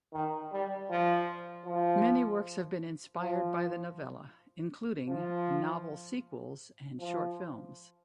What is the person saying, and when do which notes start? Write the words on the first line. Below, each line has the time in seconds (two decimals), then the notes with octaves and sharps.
Many works have been inspired by the novella, including novel sequels and short films.
0.13 D#3
0.53 G3
0.90 F3
1.66 F3
3.20 F3
5.09 F3
7.00 F3